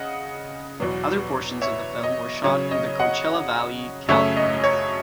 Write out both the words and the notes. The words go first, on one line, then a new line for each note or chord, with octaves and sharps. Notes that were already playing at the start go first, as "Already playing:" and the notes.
Other portions of the film were shot in the Coachella Valley, California.
Already playing: C#3 D#5 F#5
E2 B2 F#3 B3
C#5 E5
D#5
C#3 F#3 C#4 C#5
D#5
D#5 F#5
F#2 C#3 F#3 A3 C#4 C#5 E5
D#5
C#5